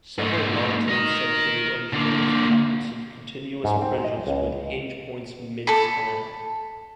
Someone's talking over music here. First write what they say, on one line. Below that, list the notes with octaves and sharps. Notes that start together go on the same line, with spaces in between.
Several nineteenth century engineers patented continuous bridges with hinge points mid-span.
G#2 A3
A#4 D#5
D3 A#3
G#2
C4
D#5
C#2
A4 B5